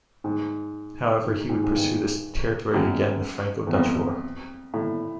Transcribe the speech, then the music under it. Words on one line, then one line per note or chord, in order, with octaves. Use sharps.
However, he would pursue this territory again the Franco-Dutch War.
G#2
G#2
G#2
G#2
G2
F#2
E2
F2
A2